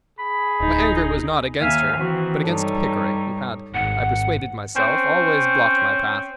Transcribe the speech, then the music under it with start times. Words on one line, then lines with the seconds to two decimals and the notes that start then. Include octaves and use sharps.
My anger was not against her, but against Pickering, who had, I persuaded myself, always blocked my path.
0.19 G#4 B5
0.60 D1 D#4
1.59 D#2 E5 F5 G#5
1.95 D#3 E3 C4 F#4
2.48 G2 G3 D#4 A4 C#5
3.74 G#1 F#5
4.76 C4 C#4